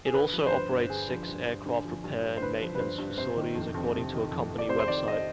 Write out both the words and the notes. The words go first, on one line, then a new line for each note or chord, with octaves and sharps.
It also operates six aircraft repair and maintenance facilities, according to a company website.
G#4
D3 B4
F3
C5
G2 B4
G2
D3 G#4
F3
G2
G2
D3
F3
G2
G2
C5
D3 B4
F3
B4
G2 C5
G2
C3 C5
D#3
F2
F2
C3
D#3
F2
F2
D5
C3 C5
C5
D#3 D5
D#5